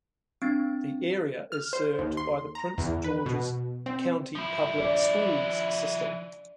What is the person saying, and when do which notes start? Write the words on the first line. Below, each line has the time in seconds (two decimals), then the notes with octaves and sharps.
The area is served by the Prince George's County Public Schools system.
0.42 C4 D4 A6
1.52 F6
1.73 C5
1.99 D#2
2.17 C6
2.55 A#5
2.78 E2
3.04 B4
3.26 B2
3.86 C4
4.35 F3 E4
4.80 D5